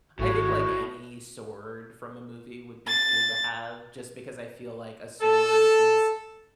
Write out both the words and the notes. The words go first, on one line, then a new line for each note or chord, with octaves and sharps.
I think, like, any sword from a movie would be cool to have, just because I feel like a sword is
G#1 A2 A3 F#4
A6
A4